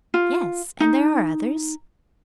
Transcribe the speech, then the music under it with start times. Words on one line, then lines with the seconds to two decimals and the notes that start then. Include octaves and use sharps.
"Yes, and there are others."
0.14 F4
0.80 D#4